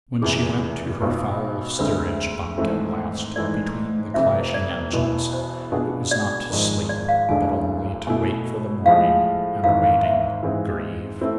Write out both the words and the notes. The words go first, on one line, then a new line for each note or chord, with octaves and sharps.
When she went to her foul steerage bunk at last, between the clashing engines, it was not to sleep, but only to wait for the morning, and, waiting, grieve.
F1 E2 C3 E3 G#4
B1 B2 B3 F4
D2 D3 G#3 C4 B4
G#1 G#2 E3 A3 C4
G#2 E3 A3 D5
F1 F2 C3 E5
D5
E1 E2 B2 B3 E4
C5
B2 B3 D4 F4 G#4
D5
G#1 G#2 F3 G#3
D5
F5
E1 D2 D3 G#3 D4 G#5
B2 A3 E4 G#5
A2 F3 G#3 F5
G#1 G#2 E3 F5
F5
E5
G#2 E3 G#3 C4
A3 C4 E4